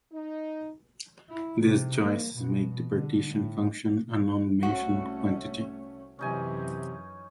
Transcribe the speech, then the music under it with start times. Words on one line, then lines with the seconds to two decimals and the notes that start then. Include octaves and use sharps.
These choices make the partition function a nondimensional quantity.
0.12 D#4
1.29 E4
1.62 C3
2.02 A#3
2.35 B2
2.91 D3
3.31 A2
4.63 C2 A3 C#4 F#4
6.19 F#2 C3 E3 C#4 D#4 G#5